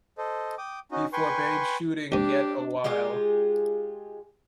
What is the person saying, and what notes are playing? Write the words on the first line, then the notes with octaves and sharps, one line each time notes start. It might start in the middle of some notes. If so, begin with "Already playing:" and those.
He forbade shooting yet awhile.
A4 C5 D#5
G5 D6 D#6
C#4 D#4 F#4 D#5
B4 G5 G#5 C6 C#6
D#2 G#2 D4 G4
G#3 F4 G4 G#4